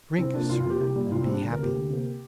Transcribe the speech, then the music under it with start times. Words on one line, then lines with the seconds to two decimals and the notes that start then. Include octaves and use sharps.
Drink, sir, and be happy!
0.18 C2 C4
0.34 C3 F3 A#3 D4
0.49 C2 F4
0.60 F4
0.65 C3 F3 A#3 G4
0.80 C2 G4
0.96 A#2 G3
1.11 C2 F4
1.22 C4
1.27 A#2 G3 D4
1.42 D2
1.52 A#4
1.58 C3 A#3 G4
1.74 D2
1.89 C3 A#3